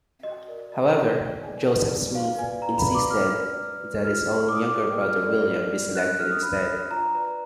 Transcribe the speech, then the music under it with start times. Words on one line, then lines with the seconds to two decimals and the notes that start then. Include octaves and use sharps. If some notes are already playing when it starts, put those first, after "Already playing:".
However, Joseph Smith insisted that his own younger brother, William, be selected instead.
0.23 F#4 D#5
0.48 A#4 D5
0.71 F#4 D#5
0.96 A#4 D5
1.19 D#4
1.43 G#4 B4 D5
1.67 D#4
1.90 G#4 B4 D5
2.14 F#4 F5
2.39 B4 D5 G#5
2.62 F#4 A#5
2.78 B5
2.86 B4 D5
2.95 D6
3.10 F#4 F6
3.33 B4 D5
3.57 F#4
3.81 B4 D5
4.04 F4 F6
4.29 G#4 D5
4.48 D6
4.52 F4 D#6
4.77 G#4 D5
5.00 F4 F6
5.25 G#4 D5
5.48 F4
5.72 G#4 D5
5.95 D4 F#6
6.08 F#6
6.19 F#4 A#4 F6
6.31 D#6
6.43 D4 B5
6.68 F#4 A#4
6.90 F4 A#5
7.14 B4 D5 A#5